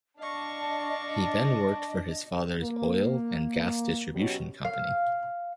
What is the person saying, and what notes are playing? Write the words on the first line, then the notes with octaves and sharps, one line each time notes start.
He then worked for his father's oil and gas distribution company.
D4 D5 D#5 F5 C#6
A#3
B2 F#3 C#4 F#4 G4
F5